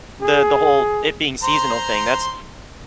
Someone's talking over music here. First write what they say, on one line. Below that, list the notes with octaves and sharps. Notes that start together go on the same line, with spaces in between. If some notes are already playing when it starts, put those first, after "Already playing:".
the the whole it being seasonal thing. That's
G#4
C5 A#5 C6